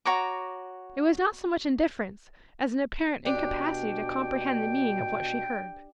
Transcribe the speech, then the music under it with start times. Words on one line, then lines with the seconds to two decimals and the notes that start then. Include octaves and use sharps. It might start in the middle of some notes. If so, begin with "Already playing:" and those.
It was not so much indifference as an apparent incapacity to comprehend the meaning of what she heard.
0.05 F#4 C#5 A#5 D6
3.25 B2 D4 G4 D5 G5